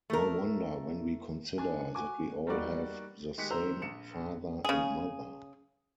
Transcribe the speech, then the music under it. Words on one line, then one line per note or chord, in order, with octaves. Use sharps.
No wonder when we consider that we all have the same Father and Mother.
A3 A#4
D4 G#5
F#4 G#5 D6
G3 A#3 D#4 F#4 D5
D#3 G#3 G4 F#6 B6 C#7
D#3 C5 A#5 E6 F7
A#1 C#7 E7
C#3 G#4